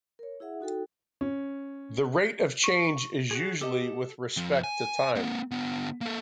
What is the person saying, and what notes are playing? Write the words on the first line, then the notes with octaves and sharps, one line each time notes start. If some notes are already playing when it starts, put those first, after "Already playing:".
The rate of change is usually with respect to time.
A#4 C#5
E4 G#4 E5 F#5
D#4 F#4 A4 G5
C#4
C#6
F#4 G#4
G4 A4 D#5
F2
G#5
A#3 C4
D3 B3
A#3 A4